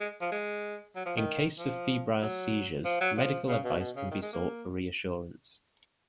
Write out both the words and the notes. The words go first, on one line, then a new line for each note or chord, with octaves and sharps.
In case of febrile seizures, medical advice can be sought for reassurance.
G#3
F3
G#3
F#3
F3
D#3
F3
F#3
F3
F#3
F3
C#3
B2
B2
C#3
D#3
G#3
A#3